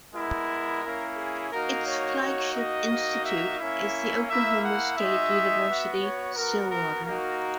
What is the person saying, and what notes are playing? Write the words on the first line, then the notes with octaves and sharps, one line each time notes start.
Its flagship institute is the Oklahoma State University-Stillwater.
G#3 B3 E4 A#4
A#3 C#4 E4
G#4
A#3 D#4 F#4 A#4
C#5
A#3 D#4 F#4
D#5
A#3 D#4 F#4
E5
A#3 C#4 E4 E5
A#3 E4 E5
F#5
G#3 D#4 F#4 E5
B3 F#4
C#5
B3 F#4 A#4
A#4
A#3 D#4 F#4 A#4